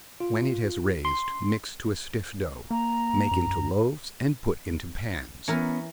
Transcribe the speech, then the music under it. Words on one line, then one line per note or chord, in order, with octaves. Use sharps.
When it has raised mix to a stiff dough, make into loaves and put into pans.
F4
C6
A#3 A#5
F#2
E3 B3 C#4 A#4